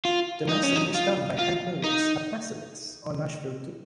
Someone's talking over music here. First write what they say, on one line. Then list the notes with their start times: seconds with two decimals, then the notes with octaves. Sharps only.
The mastering was done by Hank Williams at MasterMix, on Nashville too.
0.05 F4
0.49 D#4
0.63 C#4
0.76 D#4
0.95 F4
1.39 F4
1.84 D#4